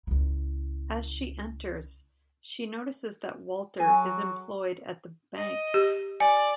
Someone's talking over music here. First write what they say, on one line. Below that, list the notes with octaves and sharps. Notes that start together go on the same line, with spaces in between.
As she enters, she notices that Walter is employed at the bank.
C#2 E4
F#3 G#4 A4 G#5
D#5
G4
D5 G#5